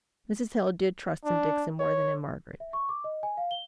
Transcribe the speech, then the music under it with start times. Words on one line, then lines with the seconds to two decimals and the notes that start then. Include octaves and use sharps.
Mrs. Hale did trust in Dixon more than in Margaret.
1.25 D4
1.80 C#5
2.60 E5
2.73 C#6
2.89 D6
3.04 D#5
3.23 G#5
3.37 F5
3.51 G7